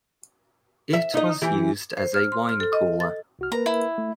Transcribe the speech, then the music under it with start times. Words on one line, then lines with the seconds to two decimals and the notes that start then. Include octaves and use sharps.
It was used as a wine cooler.
0.93 E5
1.14 D#4 D#5
1.42 E3 G4
1.98 C5
2.14 F6
2.32 C6
2.49 F6
2.60 A4
2.73 D#5
3.00 A6
3.39 C2 F#4 F6
3.52 A#3 A#4 B4 A#5
3.66 E4
3.98 A3